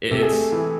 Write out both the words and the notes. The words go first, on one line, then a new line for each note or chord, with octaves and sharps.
i it's
C3 A4
G#4
A3 A4
E3